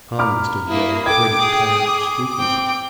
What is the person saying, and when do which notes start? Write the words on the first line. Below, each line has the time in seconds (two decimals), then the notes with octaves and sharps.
Tom must have grown pretty tired of squeaking.
0.19 A#5 B5 D6 F6
0.68 A#3 E4 D#6
1.06 A4 G5 D6 G#6
1.40 G#4 D#6
1.87 D6
2.39 C4 G5